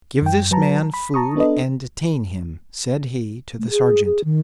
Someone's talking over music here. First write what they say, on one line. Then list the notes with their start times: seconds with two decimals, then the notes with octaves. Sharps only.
"Give this man food and detain him," said he to the sergeant.
0.22 F#2 G5
0.51 F#3 B4 A5 A#5
0.94 B5
1.14 A5 A#5 C#6 D#6
1.36 B3 D4 A4 B4 D#5
3.59 A3
3.70 G#4
4.05 G#4
4.24 D#3